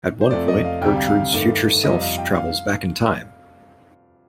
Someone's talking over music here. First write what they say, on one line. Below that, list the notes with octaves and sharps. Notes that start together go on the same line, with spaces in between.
At one point, Gertrude's future self travels back in time.
C5
F2 C3 F3 A3 D5
D#5
F5
D2 C3 G3 G5
F5
F5
G2 D#3 A3 F5
F2 C3 G3 D#5
F5
G5
F5